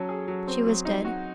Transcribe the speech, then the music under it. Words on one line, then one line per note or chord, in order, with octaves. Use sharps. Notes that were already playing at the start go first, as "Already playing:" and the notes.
She was dead.
Already playing: F#3 C#4 A4
G#4
F#3
C4
F#3
D#4
F#4